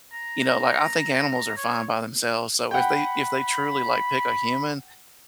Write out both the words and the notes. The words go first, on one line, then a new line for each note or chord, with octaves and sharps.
you know, like I think animals are fine by themselves, so if they if they truly, like, pick a human,
A#5
C#5
F#5 G5 B5